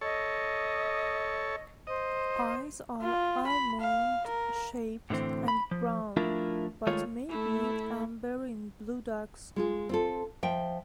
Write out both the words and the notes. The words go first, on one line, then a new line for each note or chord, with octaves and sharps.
Eyes are almond-shaped and brown but may be amber in blue dogs.
A4 C#5 D#5
C5 D#5
F4
B5
F5
A#4
A2 D3 E3 C4
B5
F3
F3 A3 D4 E4 F4 A#4
D#3 G#3 A3 F4 C#5
A3 E4
G#3 F4 G#4
C4 F4 A4
F3 E5 G5